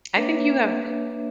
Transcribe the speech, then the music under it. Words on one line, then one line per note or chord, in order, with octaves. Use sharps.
I think you have
A#3 D4 B4 C#5 E5